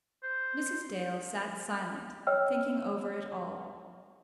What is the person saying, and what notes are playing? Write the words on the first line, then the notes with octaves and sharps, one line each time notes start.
Mrs. Dale sat silent, thinking over it all.
C5
C#5 D#5 G5 E6 F6